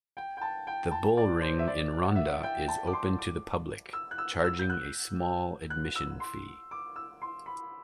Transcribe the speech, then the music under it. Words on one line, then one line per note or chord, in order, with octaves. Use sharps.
The bullring in Ronda is open to the public, charging a small admission fee.
G5
G5
A5
G5
A5
D5
C5
E5
D5
F#5
E5
F#5
G5
A5
D6
C6
D6
E6
F#6
E6
E6
G6
F#6
F#6
E6
C6
D6
E6
C6
B5